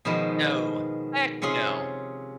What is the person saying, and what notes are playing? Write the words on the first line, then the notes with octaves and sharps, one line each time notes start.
No. Heck no.
B2 D#3 F3 G#3 B3
C3 C#4 F4 G#4 C6